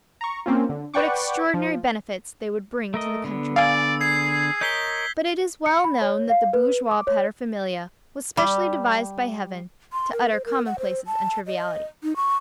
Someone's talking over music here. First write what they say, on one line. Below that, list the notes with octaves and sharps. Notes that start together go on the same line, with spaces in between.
What extraordinary benefits they would bring to the country!' But it is well known that the bourgeois paterfamilias was specially devised by Heaven to utter commonplaces and trivialities.
A#5 C#6
A#3 C4 C#4 F4
D3
B4 D5 F#5 G5 C#6 D6
F3
A3 A#4 D#5
D3 B3
D5 F5 G#5 E6
G#4 G#6 C7
A#4 C#5 D#5 G6 B6 G7
C#7
B5
C#5
F5
B4
D6
C#5
G3
C6
A#4
C5
A#4
F#5
C5
A5
D#5
D#4
C#6